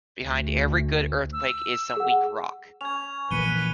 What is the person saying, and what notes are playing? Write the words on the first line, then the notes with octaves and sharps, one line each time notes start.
Behind every good earthquake is some weak rock.
D2
E6
G#4 F#5
C#4 G#6 F7
A#1 E3 A#3 B4 C#7 D#7 G7